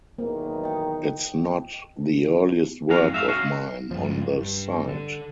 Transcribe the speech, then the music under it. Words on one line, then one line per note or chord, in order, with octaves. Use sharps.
It’s not the earliest work of mine on the site.
B1 E2 D#3 A#3
D#5 G5
F2 F#4 F5
G#2 E5 F5
C#4 F#4 F5
G2 F3
G2
D3